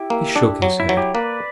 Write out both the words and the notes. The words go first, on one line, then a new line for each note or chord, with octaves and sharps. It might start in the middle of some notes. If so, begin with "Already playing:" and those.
He shook his head.
Already playing: E4 G4
A#3
D4
F#3
E4
F#3
E4 G4
A#3 B4 D5